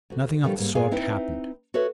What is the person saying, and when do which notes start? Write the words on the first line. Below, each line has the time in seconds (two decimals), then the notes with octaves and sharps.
Nothing of the sort happened.
0.10 D2 F#4
0.43 B2 D3 D#3 F3 G3
0.58 G#2 G3 A#3
0.75 G#2 B3 G#4 F5 G#5
0.91 C4 D#4 E4 B4 E5
1.74 F#4 A4 B4 C#5 E5